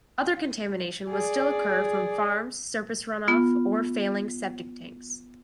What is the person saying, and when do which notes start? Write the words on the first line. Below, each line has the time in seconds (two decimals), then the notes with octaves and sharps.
Other contamination would still occur from farms, surface runoff, or failing septic tanks.
1.09 G#4 D5
3.28 B3 F4